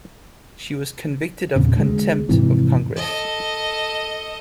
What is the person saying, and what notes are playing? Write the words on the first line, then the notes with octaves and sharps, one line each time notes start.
She was convicted of contempt of Congress.
E2 A#2 C#3
D2 G#3
F2 G#2 C3 E3
A4 D#5